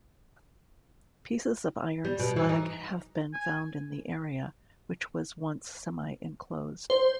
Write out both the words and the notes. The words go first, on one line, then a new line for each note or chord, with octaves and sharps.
Pieces of iron slag have been found in the area, which was once semi-enclosed.
G3
B2
E3
D#4
G#5
C5